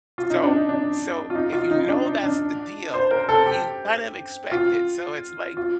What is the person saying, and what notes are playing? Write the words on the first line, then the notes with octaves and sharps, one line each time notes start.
So so, if you know that's the deal, you kind of expect it, so it's like
F4
D#4
D4
D#4
D4
F4
D#4
F4
D#4
D4
D#4
D4
C5
A#4
A4
G4
F4
F4